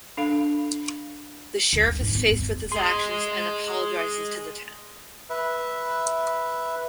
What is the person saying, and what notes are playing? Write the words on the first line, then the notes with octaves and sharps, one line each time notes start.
The sheriff is faced with his actions and apologizes to the town.
D4 A4 F5 B5
D2
G2
G#2
B3
G2
G#4 D#5 C6
B4 E5